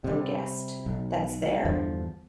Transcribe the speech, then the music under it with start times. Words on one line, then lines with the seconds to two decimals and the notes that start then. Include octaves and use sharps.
other guest that's there
0.04 C3 G3
0.86 B1
1.65 E2 G2 D3 F3